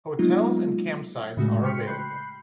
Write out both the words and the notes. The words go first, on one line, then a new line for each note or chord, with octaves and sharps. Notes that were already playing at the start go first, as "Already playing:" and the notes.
Hotels and campsites are available.
F#3 G#3 A#3 B3 D#4 F4
A2 C#3 G#3 A3 F#4
G5 C6 C#6 F6 B6 C#7
B5 F#6 G6 C7